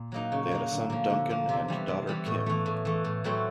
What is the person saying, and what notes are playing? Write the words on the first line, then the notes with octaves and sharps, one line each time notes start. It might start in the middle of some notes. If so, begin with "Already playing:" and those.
They had a son Duncan and daughter Kim.
Already playing: A#2
F#3 A#3 D#4
C#3
F#3 A#3 D#4
D3
F3 A#3
D3
F3 A#3
C3
E3 G3 B3
C3
E3 G3 B3
A2
E3 A3
A2
E3 A3
A2
F#3 A3 C4 E4